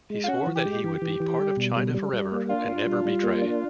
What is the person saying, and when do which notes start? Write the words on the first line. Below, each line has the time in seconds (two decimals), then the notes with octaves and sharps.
He swore that he would be part of China forever and never betray.
0.10 G#3
0.24 F4
0.28 C#4 F#4
0.47 E3
0.56 G4
0.66 G#3
0.84 E3
1.02 E3
1.20 E3
1.39 G3
1.57 B2
1.76 G3
1.94 G3
2.13 G3
2.32 A#3
2.49 D4 F4
2.68 D4
2.86 G3
3.05 G3
3.23 A#3
3.42 D4